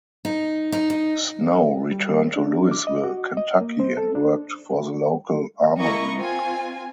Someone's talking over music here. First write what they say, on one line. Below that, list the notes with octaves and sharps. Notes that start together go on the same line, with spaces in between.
Snow returned to Louisville, Kentucky and worked for the local armory.
D#4
D#4
D#4
G3
D4
D6
D#5
F#4
D#5
A#3
C5
A4
D4
A#3 E4 D#5 A#5 C#6 A#6
C4 F4 G#5